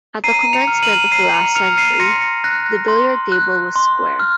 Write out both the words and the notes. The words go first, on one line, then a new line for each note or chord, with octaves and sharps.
At the commencement of the last century, the billiard-table was square.
A#5 C7 D#7
C#7 F7
F6
D#7 F#7
A#5 C7 D#7
C#7 F7
F6 C#7 F7
C7 D#7
C6 A#6 C#7
F#6 A#6
C6
F#6
C6
F6